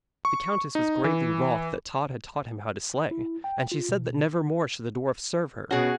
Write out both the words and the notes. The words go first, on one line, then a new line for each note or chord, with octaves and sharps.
The countess was greatly wroth that Tod had taught him how to slay, and she said that never more should the dwarf serve her.
C#6
D#4
E3
E4
G5
F4
B2
B2 C#4 F#4 G#4